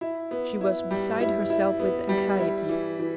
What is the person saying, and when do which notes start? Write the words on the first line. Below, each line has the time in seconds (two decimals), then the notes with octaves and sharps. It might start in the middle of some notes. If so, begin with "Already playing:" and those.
She was beside herself with anxiety.
0.01 E4
0.31 B3
0.61 E4
0.91 G3
1.20 E4
1.50 E4
1.80 B3
2.09 G3
2.39 E4
2.69 E3
2.99 E3